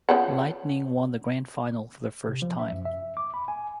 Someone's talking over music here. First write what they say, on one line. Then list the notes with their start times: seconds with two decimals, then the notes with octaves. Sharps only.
Lightning won the Grand Final for the first time.
0.09 C#3 F3 F#5
2.28 C3
2.42 F3
2.59 E5
2.72 F#2
2.85 E5
3.17 D6
3.34 B5
3.48 G#5